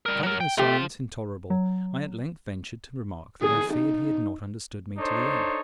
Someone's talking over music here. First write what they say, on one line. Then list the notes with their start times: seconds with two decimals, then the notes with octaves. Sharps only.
Finding the silence intolerable, I at length ventured to remark that I feared he had not understood me to the end.
0.06 G3 A#4
0.23 F#3 A#4
0.41 G5
0.58 A3 F4 G4 C5
1.50 F#3
3.43 G#4
3.74 D#4
4.98 D4 D#4 A4 C5 C#5